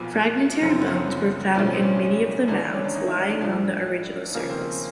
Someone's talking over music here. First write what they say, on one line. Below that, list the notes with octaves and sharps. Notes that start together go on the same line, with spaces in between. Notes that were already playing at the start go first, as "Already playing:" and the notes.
Fragmentary bones were found in many of the mounds lying on the original surface.
Already playing: B1 A#2 F3 B3
F#1 F#2 D3 F3 C#4
C4
B3
C4
B1 A2 F3 D4
C#4
C4
C#4
G#1 G#2 E3 D4
C#4
D4
D#4
E4
D#4
D4
A#1 A2 F3 D4
D#2 C#3 F3 A#3
C4